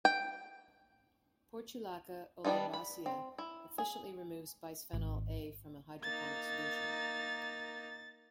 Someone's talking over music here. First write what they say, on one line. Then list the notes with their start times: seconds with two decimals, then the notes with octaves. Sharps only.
"Portulaca oleracea" efficiently removes bisphenol A from a hydroponic solution.
0.05 G5
2.45 G3 B3 D4 D#4 F4
2.74 B5
3.06 C4
3.38 E4
3.78 G#4
4.93 G#1
6.03 A#3 D#4 A6